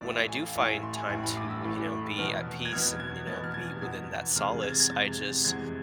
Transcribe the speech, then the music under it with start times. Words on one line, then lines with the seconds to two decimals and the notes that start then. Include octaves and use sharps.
when I do find time to, you know, be at peace and, you know, be within that solace, I just
0.01 A1 A2 E3 A3 D5
0.14 E5
0.28 G#5
0.42 F5
0.55 A1 A2 E3 A3 E5
0.69 G#5
0.83 C6
0.96 G#5
1.09 A1 A2 E3 A3 G#5
1.23 B5
1.37 D6
1.50 E6
1.64 A1 A2 E3 A3
2.18 E2 B2 B3 F6
2.65 G#6
2.73 E2 B2 B3 F6
3.00 G#6
3.27 E2 B2 B3 A6
3.44 F6
3.54 G#6
3.81 E2 B2 B3 G#6
4.36 E2 C3 G#3 F6
4.63 G#6
4.72 A6
4.80 G#6
4.90 E2 C3 G#3 A6
5.45 E2 C3 G#3 G#6